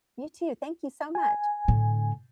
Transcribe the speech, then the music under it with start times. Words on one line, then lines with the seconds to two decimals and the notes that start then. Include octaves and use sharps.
You too. Thank you so much.
1.15 G#5
1.68 A2 D3